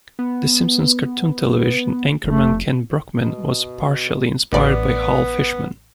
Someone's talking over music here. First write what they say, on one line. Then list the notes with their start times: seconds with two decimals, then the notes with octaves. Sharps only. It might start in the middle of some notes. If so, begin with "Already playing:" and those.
"The Simpsons" cartoon television anchorman Kent Brockman was partially inspired by Hal Fishman.
0.19 B3
2.24 F1 A3
3.20 B2
4.53 A1 B3 D5